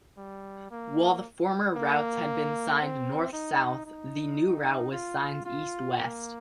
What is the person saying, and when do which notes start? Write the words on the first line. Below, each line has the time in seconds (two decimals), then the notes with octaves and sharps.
While the former routes had been signed north-south, the new route was signed east-west.
0.18 G3
0.71 A#3
1.76 A#3
2.82 C4
3.34 D#4
3.86 D#4
4.92 F4
5.45 F4
5.98 A#3